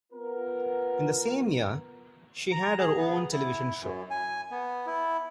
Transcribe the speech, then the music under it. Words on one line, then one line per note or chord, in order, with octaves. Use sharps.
In the same year, she had her own television show.
B3 F4 A#4
A#5
G#4
B3
E4
F#2
G#5
B3
E4